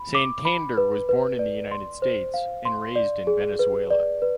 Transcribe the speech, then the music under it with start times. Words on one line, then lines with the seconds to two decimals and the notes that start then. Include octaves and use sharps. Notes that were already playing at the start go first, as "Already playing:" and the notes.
Santander was born in the United States and raised in Venezuela.
Already playing: B5
0.15 D6
0.45 B5
0.77 B4
1.09 B4
1.39 D5
1.71 C6
2.02 C5
2.34 F5
2.65 C6
2.96 D5
3.27 G#4
3.59 B4
3.90 D5
4.22 B4